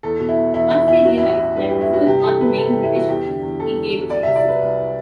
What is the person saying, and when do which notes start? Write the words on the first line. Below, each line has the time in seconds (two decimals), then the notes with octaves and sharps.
Once he realised that this was not the main British fleet, he gave chase.
0.03 E2 A4
0.20 B2
0.29 E4
0.37 E2
0.54 E2 E4
0.70 E2 E4
0.88 E2 E4
1.04 F#3 F#4
1.17 E4
1.23 A1
1.30 F#4
1.39 A1
1.55 G2 B4
1.69 G4
1.73 G2
1.81 E4
1.90 G2 F#4
2.07 C3 G4
2.23 E3 A4
2.41 C3 B4
2.57 C3 A4
2.70 G4
2.75 E3
2.84 E4
2.92 E3 F#4
3.08 E2 G4
3.25 D3
3.42 E2
3.59 E2 A4
3.76 E2
3.93 F#3
4.10 C2 D5
4.23 E5
4.27 C3
4.36 D5
4.44 F#3 B4
4.62 C2